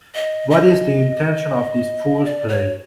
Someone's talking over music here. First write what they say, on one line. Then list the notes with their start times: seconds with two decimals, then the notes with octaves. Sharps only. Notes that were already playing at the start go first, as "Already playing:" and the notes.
What is the intention of this fool's play?
0.15 D#5
0.51 D#5
2.25 D5
2.48 C#5